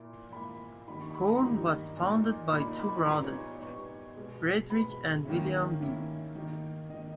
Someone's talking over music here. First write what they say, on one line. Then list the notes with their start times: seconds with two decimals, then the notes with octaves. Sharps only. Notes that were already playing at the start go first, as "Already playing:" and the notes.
Quorn was founded by two brothers, Frederick and William B.
Already playing: A#2 A#3 E4
0.32 A#2 A#3 E4 B5
0.88 G2 D#3 G3 A#3 D#4 B5
1.01 C#6
1.14 B5
1.29 A#5
1.42 G2 D#3 G3 A#3 D#4
1.97 A#2 A#3 D#4
2.52 A#2 A#3 D#4 B5
2.79 B5
2.99 B5
3.06 A#2 G3 B3 D#4 A#5
3.25 C#5
3.61 A#2 G3 B3 D#4 C#6
4.16 B2 G#3 B3
4.70 B2 G#3 B3 B5
5.25 D#3 A#3 C#4 E4
5.80 D#3 A#3 C#4 E4
6.35 D#3 A#3 D#4
6.90 D#3 A#3 D#4 D#5